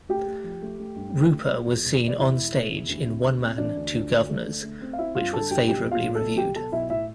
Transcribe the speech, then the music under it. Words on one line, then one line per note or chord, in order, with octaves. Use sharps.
Rooper was seen on-stage in "One Man, Two Guvnors", which was favourably reviewed.
A3 G4 G5
A3
F3
A3
A3
G2
A3
A3
B2
E2
E1
E1
D5
E2 E4 E5
E1
B2
E2
D2
C3
D2
C3
E3 D4 D5
D2
D2
D2
A3
D3
A3
C4
F5
C4 E4 E5
G2 F4 F5
D3 A4 A5
G2 G4 G5
B1 G4 G5
B1
F4 F5
A2
A4 A5
B1
B1 G4 G5
B1 A4 A5
B1 E4 E5
A2 E4 E5